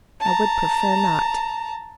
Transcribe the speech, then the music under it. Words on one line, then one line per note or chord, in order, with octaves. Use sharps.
"I would prefer not."
A5 A#5